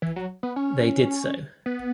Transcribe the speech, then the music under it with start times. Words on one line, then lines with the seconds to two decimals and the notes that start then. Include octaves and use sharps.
They did so.
0.02 E3
0.16 F#3
0.43 B3
0.56 C#4
1.66 B3